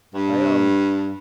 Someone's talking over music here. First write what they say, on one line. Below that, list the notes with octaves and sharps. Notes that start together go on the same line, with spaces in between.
I, um
G2